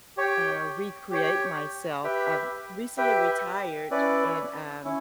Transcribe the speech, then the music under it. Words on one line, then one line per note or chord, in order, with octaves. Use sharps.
uh, recreate myself. I've recently retired and, um
G4 C#5 G5
G4 C#5 G5
G4 B4 E5 G5
G4 B4 E5 G5
C#4 E4 B4 D5
C#4 E4